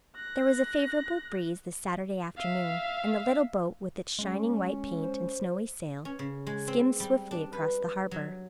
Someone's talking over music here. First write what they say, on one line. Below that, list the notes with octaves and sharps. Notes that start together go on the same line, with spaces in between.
There was a favorable breeze this Saturday afternoon, and the little boat, with its shining white paint and snowy sail, skimmed swiftly across the harbor.
F#6 A#6
E5 F5
G#3 C#4
C5
C#4
C#3
G#3
C4
G3
D4
B4
F#3